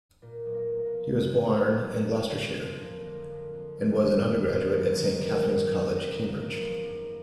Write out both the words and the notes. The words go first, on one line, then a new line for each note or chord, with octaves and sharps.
He was born in Gloucestershire, and was an undergraduate at Saint Catharine's College, Cambridge.
A#2 A#3
B1
A#3
B1
A#3
B3
F3
A#2 G#3
B1 A#3
B1 B3
F3 D4
D3 A#3
F2
G#3
F2
A#3
F3
D3 A#3
F2
F2
F3
D4
D#3 B3
D#2 D4
D#2 F4
F#3 F#4
D#3 F#4
D#2
G#4
D#2
F#4
F#3
F#2 F#4
G#1 A#3
G#1 A#3
F3 B3
F#2 A#3